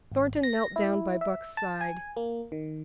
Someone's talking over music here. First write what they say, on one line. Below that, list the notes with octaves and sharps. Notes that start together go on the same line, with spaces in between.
Thornton knelt down by Buck's side.
G#1
A#6
E4
E5
A5
G#5
A#3
D#3